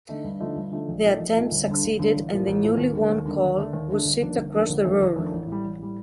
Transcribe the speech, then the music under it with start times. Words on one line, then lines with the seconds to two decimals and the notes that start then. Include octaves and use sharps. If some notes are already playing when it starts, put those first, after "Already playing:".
The attempt succeeded and the newly won coal was shipped across the Ruhr.
0.09 D3 A3 D#4
0.24 G2
0.40 D3 F3 A3 D#4
0.56 G2
0.72 D3 F3 A3 D#4
0.88 A#1
1.03 A#2 A3 D#4
1.20 A#1
1.36 A#2 A3 D#4
1.51 G1
1.67 G2 D3
1.84 G1
1.99 G2 D3
2.15 A1
2.31 A2 F3 A#3
2.47 A1
2.62 A2 F3 A#3
2.78 D#2
2.93 D3 G3 A#3
3.09 D#2
3.25 D3 G3 A#3
3.42 D#2
3.57 D3 A3 D4
3.73 D#2
3.89 D3 A3 D4
4.05 G1
4.22 F2 D#3 A#3 D4
4.38 G1
4.53 F2 D#3 A#3 D4
4.69 G1
4.84 F2 D#3 A3 D4
5.00 G1
5.16 F2 D#3 A3 D4
5.32 A1
5.47 A2 G3
5.64 A1
5.79 A2 G3